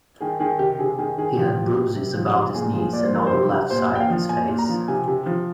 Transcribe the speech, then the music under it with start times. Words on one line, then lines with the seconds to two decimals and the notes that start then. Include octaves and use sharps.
He had bruises about his knees and on the left side of his face.
0.20 D#3 G#4
0.40 D#3 G#4
0.59 C3 G4
0.79 C3 G#4
0.98 D#3 G#4
1.18 D#3 G#4
1.37 F3 G4
1.57 F3
1.77 C3
1.96 C3
2.15 F3
2.35 C3
2.54 A#2 G#4
2.73 F3 G#4
2.93 A#2 D5
3.04 C5
3.13 F3 A#4
3.27 C5
3.33 C3
3.52 C3
3.70 A#2 C5
3.90 A#2
3.95 G5
4.00 F5
4.10 F3
4.29 A#2 G#5
4.48 A#2
4.59 A#5
4.69 F3
4.88 C3 G#5
5.08 C3
5.26 F3